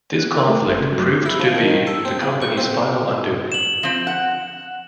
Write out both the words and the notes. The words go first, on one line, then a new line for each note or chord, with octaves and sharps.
This conflict proved to be the company's final undoing.
F#6
A#4
A3
G1
C#3
F#3
E4
F3
D#3
A4
C4
C#3
C#6
C4
E7 F#7
F3 C4
F#5